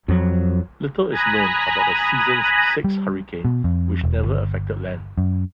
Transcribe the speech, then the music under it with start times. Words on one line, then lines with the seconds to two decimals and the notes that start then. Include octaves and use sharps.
Little is known about the season's sixth hurricane which never affected land.
0.08 F2 F#3
1.11 G#5 A#5 B5 D#6 F#6 A#6
2.84 G3
3.45 B2
3.64 F2
4.04 E1
4.25 G1
5.18 F#2